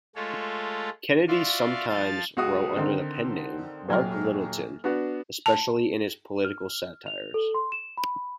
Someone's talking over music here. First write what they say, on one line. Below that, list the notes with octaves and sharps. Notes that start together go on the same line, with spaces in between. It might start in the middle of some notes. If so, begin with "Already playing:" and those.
Kennedy sometimes wrote under the pen name "Mark Littleton", especially in his political satires.
G#3 A3 F4 A4 C#5
F4 F#4 D5 E5 F5 C6
F3 F5 A5 A6
C#2 F#4 D#6
D3 D#3 C4 D#4
D#1 F#3 G5 F6
B3 D4 F#4
A5
F6
F7
A4
C6
E7
B5